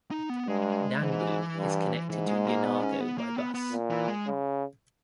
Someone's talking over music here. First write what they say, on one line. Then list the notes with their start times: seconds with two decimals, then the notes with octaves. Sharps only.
Nanbu is connected to Yonago by bus.
0.11 D#4
0.29 B3
0.48 G2 G#3
1.02 G#2 E3
1.56 G2
2.09 G#2 E3
2.28 G#3
2.46 A#3
2.64 B3
2.82 C#4
3.00 B3
3.18 A#3
3.37 B3
3.54 B3
3.72 A#2
3.90 E3
4.08 G#3
4.27 C#3